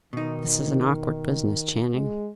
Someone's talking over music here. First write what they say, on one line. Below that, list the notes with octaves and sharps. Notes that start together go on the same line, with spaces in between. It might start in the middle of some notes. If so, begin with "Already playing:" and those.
"This is an awkward business, Channing."
B2 D#3 D#4
G#3